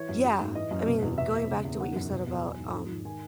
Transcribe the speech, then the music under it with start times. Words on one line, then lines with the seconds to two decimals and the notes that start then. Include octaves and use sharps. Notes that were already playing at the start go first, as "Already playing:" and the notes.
yeah, I mean, going back to what you said about, um,
Already playing: E3 C#5
0.09 F#2
0.25 F#3
0.40 G#2
0.55 E3 D#5
0.71 F#2
0.87 B2
1.02 E2
1.17 B2 E5
1.34 E2
1.49 C#3
1.65 E2
1.80 D#3 F#5
1.96 F#2
2.11 B2
2.27 E2
2.42 F#3 G#5
2.58 G#2
2.73 D#3
2.90 G#2
3.05 D#3 G#5